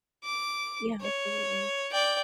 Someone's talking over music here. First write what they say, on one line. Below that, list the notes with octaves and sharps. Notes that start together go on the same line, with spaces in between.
Yeah, absolutely.
D6
C#5
D5 G5